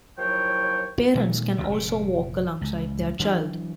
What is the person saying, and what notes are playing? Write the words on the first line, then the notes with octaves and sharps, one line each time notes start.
Parents can also walk alongside their child.
D#2 F3 F#3 E4 C#5 G5
A#2 D#3 G#3 A3
A#1 D#2 C3 F#3
F1 A#2
C#2
E3 F#3 D4